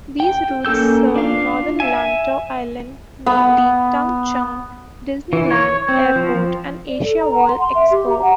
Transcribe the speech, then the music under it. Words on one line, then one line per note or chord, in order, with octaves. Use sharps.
These routes serve Northern Lantau Island, namely Tung Chung, Disneyland, Airport and AsiaWorld-Expo.
G5
A#3 C#4 A4 E6 G6
D4 F4 F5
E5 G#5
B3
E3
C#5
C4
F3
D5
A4
A#5
F#5
C6
C6
E5
G4
A#5
F#5